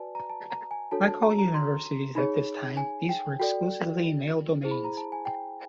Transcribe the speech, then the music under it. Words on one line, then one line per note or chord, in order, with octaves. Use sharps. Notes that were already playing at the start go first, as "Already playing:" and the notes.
Like all universities at this time, these were exclusively male domains.
Already playing: F#4 B4 D5 G#5 A5
A#5
A5
A#5
G#5
D4 F#4 A4 C#5 A5
A5
A#5
A#5
C6
D#4 G#4 C#5 B5
G#5
G5
F#4 A4 D5 G5
E4 G#4 C5
B5
A#5
A5
G#5
G5